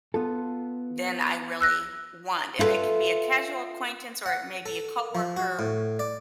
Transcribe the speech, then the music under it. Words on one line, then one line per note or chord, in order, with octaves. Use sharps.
than I really want, and it can be a casual acquaintance, or it may be a coworker,
B3 F4 A4
E6 F#6 A#6
E4 F4 A4 B4 E5
F#5
A4
F3
F#4
A2
D5